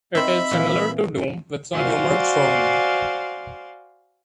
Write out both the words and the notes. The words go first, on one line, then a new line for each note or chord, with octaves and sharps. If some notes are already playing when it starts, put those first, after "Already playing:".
It is similar to "Doom", with some humor thrown in.
C4 D#4 E5 B5
A#2 E3
F#4 C5 D5 F5 G#5 C6